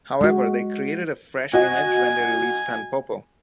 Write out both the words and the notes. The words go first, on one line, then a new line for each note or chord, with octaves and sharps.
However, they created a fresh image when they released "Tanpopo".
G#3 F#4
F#4 D#5 G#5